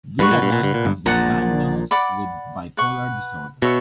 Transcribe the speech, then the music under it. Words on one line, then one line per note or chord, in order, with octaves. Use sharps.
Villagran has been diagnosed with bipolar disorder.
G2 B4 F#5 C#6
A#2
G2
A#2
G2
A#2
G1 G2
A#1 A#2 D5 F#5 A#5
D5 F#5 B5 D6
B4 F#5 C#6
B2 F#4 C#5 E5 B5